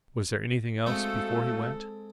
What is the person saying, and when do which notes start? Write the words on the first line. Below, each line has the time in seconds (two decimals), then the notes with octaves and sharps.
Was there anything else before he went?
0.86 G#3 A3 C4 F#4 A4 F5